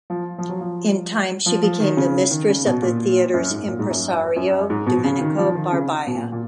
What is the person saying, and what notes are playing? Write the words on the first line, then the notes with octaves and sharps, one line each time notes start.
In time she became the mistress of the theater's impresario, Domenico Barbaia.
F3
F3
F#3
F3
F3
F3
D#3
C#3
D#3
C#3
B2
A#2
F#2
G#2
A#2
G#2
F#2
F#2
G#2
B2
C#3
D#3
F3
D#3
C#3
B2
A#2
A#2